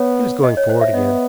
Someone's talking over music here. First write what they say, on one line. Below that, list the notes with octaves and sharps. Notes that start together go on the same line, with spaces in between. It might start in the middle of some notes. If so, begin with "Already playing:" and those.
He was going forward again.
Already playing: B3 C#5
D#5
C#5
C5
E5
B3 D#5